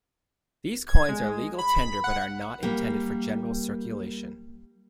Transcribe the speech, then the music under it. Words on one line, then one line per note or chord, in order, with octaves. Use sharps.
These coins are legal tender but are not intended for general circulation.
G#6
G#3
B5
F#5
G3 A#3